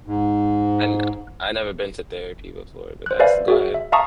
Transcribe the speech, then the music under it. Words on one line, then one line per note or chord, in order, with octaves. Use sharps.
And I never been to therapy before, but that's go ahead.
G#2
C5 F#6
B4 C5 D5 E5 F5 G#5
F#4 G#4 E5
E5
E5 F5 A5 A#5 C#6 D#6